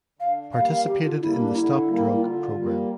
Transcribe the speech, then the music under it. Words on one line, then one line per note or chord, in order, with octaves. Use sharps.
Participated in the Stop Drug Program.
D3 F5
G3 A#3 F5
F5
D3 G4
F4
G3 A#3 E4
D4
D3 E4
G3 A#3
E4
D3 F4
G3 A#3